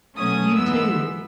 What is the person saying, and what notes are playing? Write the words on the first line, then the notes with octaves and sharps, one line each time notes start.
You too.
B2 F#3 A3 C#4 D#6
G#2 E3 G#3 B3 E6